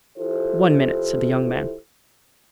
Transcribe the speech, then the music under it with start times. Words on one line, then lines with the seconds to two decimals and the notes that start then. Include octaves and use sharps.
"One minute," said the young man.
0.17 E3 E4 F4 G4 A4 C5